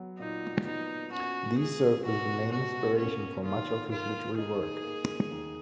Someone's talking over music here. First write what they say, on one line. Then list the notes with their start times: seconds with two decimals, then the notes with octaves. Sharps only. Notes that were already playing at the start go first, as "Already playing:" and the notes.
These served as the main inspiration for much of his literary work.
Already playing: F#3 B3
0.19 A#2 D#4
0.65 B3 D#4
1.11 C#4 F#4
1.58 C#2 G#4
2.05 B2 F#4
2.51 B2 F#4
2.98 A#3 C#4
3.45 D#3 F4
3.91 A#3 F4
4.38 D#4 G#4
4.84 A#3
5.32 D#2